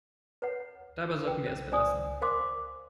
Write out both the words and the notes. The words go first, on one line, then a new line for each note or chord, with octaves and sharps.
Dabei sollten wir es belassen.
B4 C#5 F#5
B4 G5
C5
C5 D5 G#5 D#6
A#4 C5 F5 C6 D6